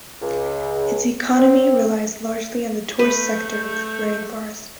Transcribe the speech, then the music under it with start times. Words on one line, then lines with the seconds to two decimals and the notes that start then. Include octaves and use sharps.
Its economy relies largely on the tourist sector of the rain forest.
0.21 C#2
1.36 C4
2.99 A3 B4 G6